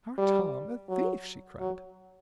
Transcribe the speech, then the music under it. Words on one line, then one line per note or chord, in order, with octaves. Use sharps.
"Our Tom a thief!" she cried.
G3
F#3
F#3